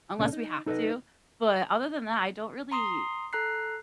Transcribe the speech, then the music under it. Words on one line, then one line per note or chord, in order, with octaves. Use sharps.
unless we have to, but other than that, I don't really
C#2 A#2 C#4 D4 A4
D#4
D#4 A4 B4 C#5 D#5
A#5 C6 D#6 C7
A4 A#5 F#6 C7